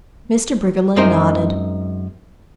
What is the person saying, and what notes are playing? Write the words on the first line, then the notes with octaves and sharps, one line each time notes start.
Mr. Briggerland nodded.
F#2 G#3 C4 D#4 A#4 C5